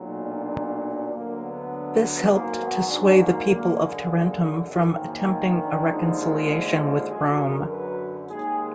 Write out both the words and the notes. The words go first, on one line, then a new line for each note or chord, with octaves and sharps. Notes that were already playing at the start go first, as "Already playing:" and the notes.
This helped to sway the people of Tarentum from attempting a reconciliation with Rome.
Already playing: B1 A#2 F#3
D4
D2 D3 F#3 A#3
B3
B3
G#1 G#2 F#3 A#3
B3
D4
A#3
F#2 D3 G#3 A#3
A#3
G#1 F#2 D#3
A#3
D4
D#2 D3 F3 G#3 D#4
G#4
F#2 D3 F#3 G#4
A#4
B4
D#2 D#3 G#3 G#4